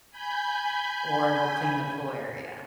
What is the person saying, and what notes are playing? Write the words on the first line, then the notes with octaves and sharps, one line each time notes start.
or we'll clean the pool area.
G#5 B5 G6